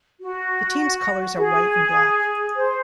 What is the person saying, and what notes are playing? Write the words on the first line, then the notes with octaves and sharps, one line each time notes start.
The team's colors are white and black.
F#4
G#4
C5